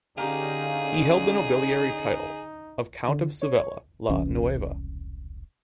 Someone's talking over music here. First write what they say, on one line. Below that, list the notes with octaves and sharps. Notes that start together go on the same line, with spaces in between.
He held the nobiliary title of "Count of Sevilla la Nueva".
D3 C#4 D#4 G4 G#4 A#4 F5
D3
C#5
E1 C2 E3 C#4